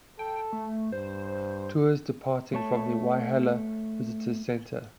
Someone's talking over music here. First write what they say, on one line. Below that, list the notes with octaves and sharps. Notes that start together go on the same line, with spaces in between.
Tours departing from the Whyalla Visitors Centre.
A4 G5
A3
G2 C5
A3 C#5 A5